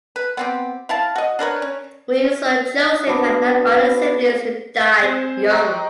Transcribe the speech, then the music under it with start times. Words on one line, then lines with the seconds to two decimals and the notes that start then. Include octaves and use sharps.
Wenzel Joseph had nine other siblings who died young.
0.16 B4
0.37 B3 C4 G4
0.89 E4 F5 A5
1.16 F#4 D#5
1.39 D4 A#4 B4 C#5
1.62 C#4
3.07 B3 D4 F#4
5.03 C4 C5 G#5
5.51 D5 D#5 G5 A#5 C6 C#6